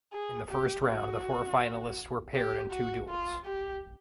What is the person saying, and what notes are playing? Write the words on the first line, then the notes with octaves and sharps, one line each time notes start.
In the first round the four finalists were paired in two duels.
G#4
G4
F#4
G4
F#4
F4
G4